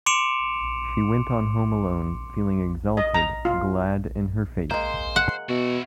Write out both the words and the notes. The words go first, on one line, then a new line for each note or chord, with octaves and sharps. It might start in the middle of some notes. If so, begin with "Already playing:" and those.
She went on home alone, feeling exalted, glad in her faith.
C6 D6 C#7 D7 E7 F7
D#5
A#5
F4
G#3 A#3 C5
F#5
B2 E4 F#4